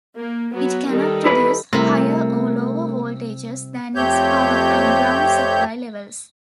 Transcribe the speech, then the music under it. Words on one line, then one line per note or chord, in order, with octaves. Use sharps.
It cannot produce higher or lower voltages than its power and ground supply levels.
A#3
F#3 B3
D#3 G3 A4
E4 B4 B5
C3 G3 A3 C4 E4 A#4 B5
F2 A3 C4 G4 C#5 G6